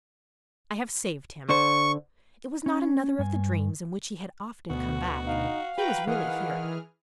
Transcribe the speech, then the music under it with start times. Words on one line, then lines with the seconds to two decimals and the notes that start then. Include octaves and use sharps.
"I have saved him." It was not another of the dreams in which he had often come back; he was really here.
1.49 D3 C5 C#6
2.66 C#4
3.19 G2 G#5
4.70 D2 B2 F#4
5.26 D#4 F5
5.78 F#4 B4 G5 A#5
6.07 D#3 E3 G#4 F#5 F6